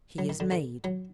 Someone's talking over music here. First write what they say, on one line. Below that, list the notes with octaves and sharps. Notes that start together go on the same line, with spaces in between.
He is made.
F#3
D#3
D3
D3
F#3